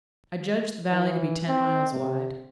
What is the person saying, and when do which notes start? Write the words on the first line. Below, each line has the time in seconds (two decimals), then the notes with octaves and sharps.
I judged the valley to be ten miles wide.
0.91 E3
1.48 C4
1.93 C3